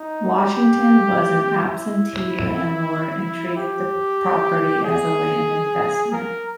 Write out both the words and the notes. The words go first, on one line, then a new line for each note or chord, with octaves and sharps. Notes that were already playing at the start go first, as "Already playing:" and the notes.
Washington was an absentee landlord and treated the property as a land investment.
Already playing: D#4
G4
E4
G4
G#4
A#4